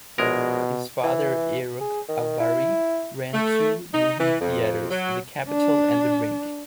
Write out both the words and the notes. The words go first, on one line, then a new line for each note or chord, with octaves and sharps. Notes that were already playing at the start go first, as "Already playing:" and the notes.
His father, Eruch Avari, ran two movie theatres, the Capitol and the Rink.
A#1 B2 G#3 A#4
E3
G#4
D#3
E4
A3
D#4
E3
F2
F#3
D4